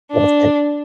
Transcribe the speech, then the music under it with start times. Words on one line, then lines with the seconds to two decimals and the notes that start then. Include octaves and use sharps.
Oh, thanks.
0.11 D4